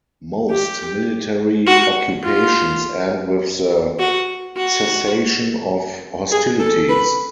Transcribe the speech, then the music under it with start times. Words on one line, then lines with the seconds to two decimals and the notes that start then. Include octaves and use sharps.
Most military occupations end with the cessation of hostilities.
0.50 G4
1.67 F#4
2.24 F4
3.99 F#4
4.56 F#4
6.31 G#4
6.59 A4
6.88 B4